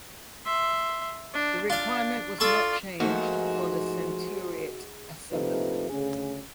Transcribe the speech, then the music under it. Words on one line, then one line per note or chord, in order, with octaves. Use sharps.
The requirement was not changed for the Centuriate Assembly.
E5 C6
D4
D4 F4 F5
F4 A4 D5 A5 C#6
G#2 F3 A3 A#3 F#4
A#1 C3 F3 A3 D#4 B4
D2 C#3 G#4